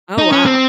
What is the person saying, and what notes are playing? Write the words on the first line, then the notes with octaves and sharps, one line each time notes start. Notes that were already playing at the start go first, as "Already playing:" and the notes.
Oh, wow.
D#4
C#4
C4